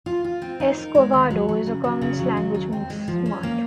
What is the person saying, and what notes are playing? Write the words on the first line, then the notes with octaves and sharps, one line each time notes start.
'Escovado' is a common slang which means 'smart'.
F4
F4
C4
D#4
A#4
G#3
D#2
F#3
F#3
C#3
F#3
C#3
F#3
F#3
D#2
C4
G#3
F3
C#4
A#3